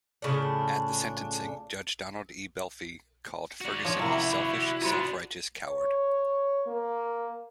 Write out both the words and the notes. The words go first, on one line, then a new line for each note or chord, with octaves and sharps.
At the sentencing, Judge Donald E. Belfi called Ferguson a "selfish, self-righteous coward".
A2 C#3 F3 D4
F#4 D5
F3 C#5
C3 A#3 E4
B5
B3 D4 F4 F#4 C5
C#5
A#3